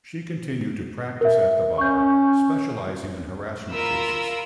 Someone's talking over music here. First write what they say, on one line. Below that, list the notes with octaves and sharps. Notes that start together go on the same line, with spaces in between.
She continued to practice at the Bar, specialising in harassment cases.
A#4 E5
C#4 C#6 G6
F4 A#4 B5 E6